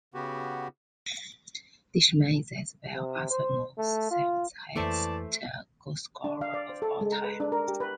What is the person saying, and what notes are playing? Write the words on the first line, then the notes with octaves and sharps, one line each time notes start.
Lishman is as well Arsenal's seventh highest goalscorer of all time.
C#3 B3 F#4 G4
C3
C5
A3
F4
F2 E3 A3 A#3 C5 D5 E5 A5
D4
F5
D5
C5
A4
G#3
A#5
B4
D4
A#4
G4
B4